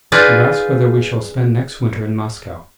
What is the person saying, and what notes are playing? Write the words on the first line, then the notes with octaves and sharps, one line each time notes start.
You ask whether we shall spend next winter in Moscow.
D#4 F4 G#4 B4 D5